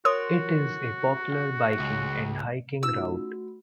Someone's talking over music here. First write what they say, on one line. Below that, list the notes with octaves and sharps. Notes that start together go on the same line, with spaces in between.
It is a popular biking and hiking route.
F#4 A#4 C#5 C6 D#6
C#2
C#4 D#4 F4 E6
A3 F#4 B5